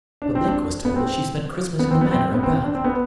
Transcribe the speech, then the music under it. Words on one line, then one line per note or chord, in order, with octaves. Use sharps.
"But Link was told that she spent Christmas in the Manor at Bath."
D4
C4
D4
B3
C4
C4
B3
C4
B3
C4
B3
C4
C4
D4
C4
B3